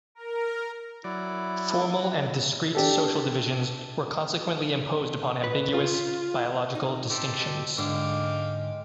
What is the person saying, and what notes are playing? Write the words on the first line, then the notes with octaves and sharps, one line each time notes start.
Formal and discrete social divisions were consequently imposed upon ambiguous biological distinctions.
A#4
F#3 E4 D5
F#3
D4 G4 A4
B4
F4
D#4
G4 A4 C5
B2
G#2 D3 G#3 F5 G5 D6